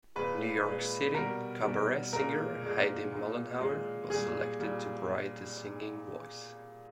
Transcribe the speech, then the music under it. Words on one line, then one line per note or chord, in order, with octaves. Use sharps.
New York City cabaret singer Heidi Mollenhauer was selected to provide the singing voice.
A#2 G#3 B4
A#2 G#3
B2 G3 A#4
B2 G3
A#2 G#3 A#4
A#2 G#3
A#2 G#3
A#2 G#3
A#2 G3 G#4
A#2 G3